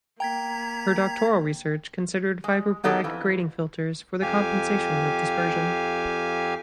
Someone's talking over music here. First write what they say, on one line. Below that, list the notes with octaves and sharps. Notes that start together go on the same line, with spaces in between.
Her doctoral research considered Fiber Bragg grating filters for the compensation of dispersion.
A#3 G5 A#5 G#6 B6
G#3
D#3 B3 D#4 G4 A4
F2 E3
F2 G4 F5 G#5